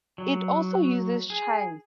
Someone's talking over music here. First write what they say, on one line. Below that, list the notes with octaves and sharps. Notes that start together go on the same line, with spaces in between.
It also uses chimes.
F#3
G#4